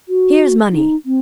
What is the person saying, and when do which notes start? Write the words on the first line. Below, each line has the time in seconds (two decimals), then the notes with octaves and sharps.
Here is money.
0.09 F#4
0.73 D#4
1.06 C4